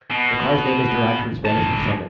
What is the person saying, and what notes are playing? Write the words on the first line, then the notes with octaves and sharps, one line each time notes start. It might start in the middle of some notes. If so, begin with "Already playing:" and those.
The car's name is derived from Spanish for "summit".
B2
G#2 A5